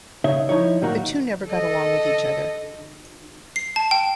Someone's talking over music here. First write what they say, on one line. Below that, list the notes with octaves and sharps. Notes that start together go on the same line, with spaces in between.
The two never got along with each other.
C#3 D#4 C#5 E5
F3 D#4 E4 C#5
A2 D#3 F#3 A#3 D#4 F#4
A4 D#5
C7
A5
G5